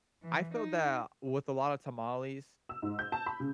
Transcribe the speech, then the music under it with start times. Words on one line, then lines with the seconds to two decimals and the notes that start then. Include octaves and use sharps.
I feel that, with a lot of tamales,
0.22 E3
0.53 D#4
2.69 E6
2.82 G#2
2.99 G6
3.12 A5
3.26 B5
3.40 C#3